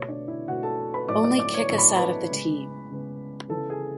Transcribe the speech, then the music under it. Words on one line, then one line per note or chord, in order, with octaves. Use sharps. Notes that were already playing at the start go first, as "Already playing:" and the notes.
Only kick us out of the team.
Already playing: B2 A3 C#5
D4 D5
E4 E5
B2 A3 F#4 F#5
A4 A5
B4 B5
A2 F#3 A3 D5 D6
D5 D6
D5 D6
C#5 C#6
A2 F#3 A3 C#6
B5
A5
B4 B5
C#3 G#3 B3
C#3 G#3 B3
C#3 E3 B3 A4 A5
G#4 G#5